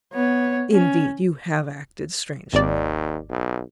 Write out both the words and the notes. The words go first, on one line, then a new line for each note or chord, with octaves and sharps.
Indeed, you have acted strangely.
B3 C#5
C#4
G#1 D#2 D5
B1